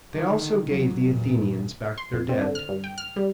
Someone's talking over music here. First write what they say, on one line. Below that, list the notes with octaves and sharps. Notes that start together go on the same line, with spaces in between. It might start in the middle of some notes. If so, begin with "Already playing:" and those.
They also gave the Athenians back their dead.
D3 D#3
E2 F#3
E2 A#2
C6
F2
C4
D3
F6
G2
G5
F6
G3